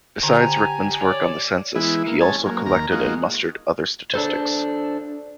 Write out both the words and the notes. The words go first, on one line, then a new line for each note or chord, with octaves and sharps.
Besides Rickman's work on the census, he also collected and mustered other statistics.
D3 G4 G#5 A#5
C#5 D5
E3 G#3 B3 E4
A#3
G#3 C#4 G#5 A5
F#3 A#3
D#2 A#3 A#5
G#3 A#3 D#4 F4 F#4
D4 A4 C5